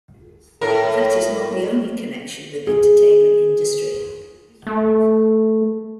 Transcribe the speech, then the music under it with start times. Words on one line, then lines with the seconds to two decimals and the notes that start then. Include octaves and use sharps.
That is not the only connection with entertainment industry.
0.61 A2 A#4
2.67 G#4
4.67 A3